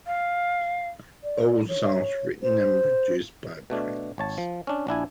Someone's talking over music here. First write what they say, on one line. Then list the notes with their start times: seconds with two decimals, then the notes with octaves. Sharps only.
All songs written and produced by Prince.
0.07 F5
1.24 D5
1.69 C#5
2.43 C5
3.70 B2 A3 D4
4.18 G#1 C#5 A5
4.38 F3
4.67 C#4 D4
4.87 A#1 D4 E4 G#5